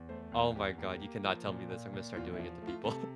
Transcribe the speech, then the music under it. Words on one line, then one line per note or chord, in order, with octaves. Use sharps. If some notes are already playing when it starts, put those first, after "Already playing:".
Oh my god, you cannot tell me this. I'm gonna start doing it to people.
Already playing: E2
A3 C5
E2
E2 G4
A#3 G4
A#3
F3
A#2
A#2
A#2
E2 F4
E4
F3
A3
F4
C3 A4